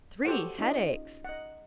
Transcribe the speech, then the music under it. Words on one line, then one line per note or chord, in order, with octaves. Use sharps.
"Three headaches!"
F#4 G4 A4 C5 C#5 F#5
C#4 D#4 F4 D#5
D#5 F#5